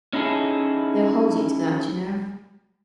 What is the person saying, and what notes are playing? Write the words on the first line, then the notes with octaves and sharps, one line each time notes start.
They'll hold you to that, you know.
C#4 D#4 E4 G#4 A4